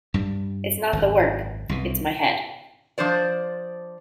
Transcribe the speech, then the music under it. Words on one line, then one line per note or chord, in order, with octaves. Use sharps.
It’s not the work — it’s my head.
G2 G3
G#1 F#2
C2 B2
F3 D4 C5 D5